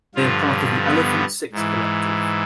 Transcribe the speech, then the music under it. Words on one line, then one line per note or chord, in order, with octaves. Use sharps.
They are part of the Elephant Six Collective.
G2 D3 F3 F4
B3
G#2 E3